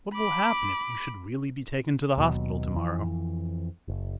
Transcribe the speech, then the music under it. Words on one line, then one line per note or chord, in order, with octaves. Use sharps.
What will happen, if you should really be taken to the hospital to-morrow?
B5 D6
D#2 B2 F#3
F2 E3
F#1